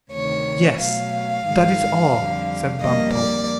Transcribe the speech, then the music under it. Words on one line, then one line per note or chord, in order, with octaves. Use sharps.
"Yes, that is all," said Bumpo.
D2 C3 D#3 C#5
B2 F#3 A3 F5
G#2 D#3 G#3
F2 D3 G3
F2 D3 G3 A#3 D#5
D5